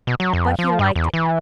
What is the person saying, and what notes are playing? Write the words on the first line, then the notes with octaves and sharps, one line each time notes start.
But he liked it.
B2
F#3
F2
F3
G2
E2
E3